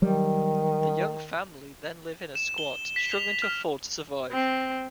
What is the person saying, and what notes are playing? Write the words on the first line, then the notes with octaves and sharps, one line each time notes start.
The young family then live in a squat, struggling to afford to survive.
D#3 F#3 G3
E7
G7
B6
F7
F6
C4